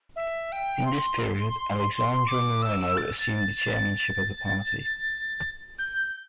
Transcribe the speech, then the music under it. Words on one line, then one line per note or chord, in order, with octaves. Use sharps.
In this period, Alexandra Moreno assumed the chairmanship of the party.
E5
G5
C6
D6
E6
A6
G6